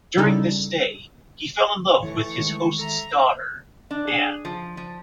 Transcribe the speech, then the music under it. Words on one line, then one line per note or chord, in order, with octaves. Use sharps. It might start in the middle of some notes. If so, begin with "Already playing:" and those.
During this stay, he fell in love with his host's daughter Anne.
C#3 G3 D#4 E4 A4
E3 A3 C#5 C#6
D#3 G#3
A4 E5 A#5
D4
G#4
F3
F3